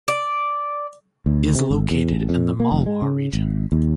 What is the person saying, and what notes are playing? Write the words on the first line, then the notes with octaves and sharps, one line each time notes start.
It is located in the Malwa region.
D5
D2
C3
G#1
E2
A1
F2
A#3
F1
G#3
C#3
G#1
D#2